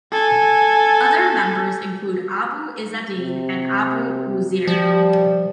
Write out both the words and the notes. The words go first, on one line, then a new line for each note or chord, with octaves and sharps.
Other members include Abu Izzadeen and Abu Uzair.
A4 G#5
C3
F3 G3